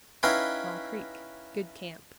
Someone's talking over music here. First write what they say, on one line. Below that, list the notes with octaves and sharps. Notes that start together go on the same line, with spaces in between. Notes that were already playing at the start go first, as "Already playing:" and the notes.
Small Creek.--Good camp.
C#4 D#4 E4 B4 F5 G5